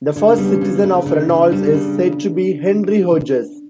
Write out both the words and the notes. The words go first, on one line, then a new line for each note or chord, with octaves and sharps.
The first citizen of Reynolds is said to be Henry Hodges.
C#3 D4
C#4
G3 B3
C#4
C#3
C#3
C#3 D4
C#3
G3 D4
C#4
C#3 D4